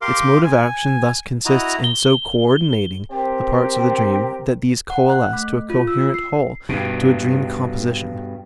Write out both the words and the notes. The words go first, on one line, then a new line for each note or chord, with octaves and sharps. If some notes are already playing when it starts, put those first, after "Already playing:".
Its mode of action thus consists in so cooerdinating the parts of the dream that these coalesce to a coherent whole, to a dream composition.
G4 A#4 F5 C6 D6
G#5
E4 F#4 D#5 A#5
G7
C4 G4 A#4
F#5
F#6
A3
F4
E6
C7
G2 B2